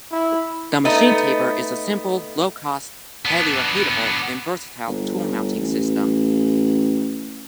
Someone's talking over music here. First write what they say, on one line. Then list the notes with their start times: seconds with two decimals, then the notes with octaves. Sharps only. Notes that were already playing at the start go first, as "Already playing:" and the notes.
The machine taper is a simple, low-cost, highly repeatable, and versatile tool mounting system.
0.12 E4
0.85 A3 B3 D#4
3.26 B3 D4
4.87 G1
5.56 A1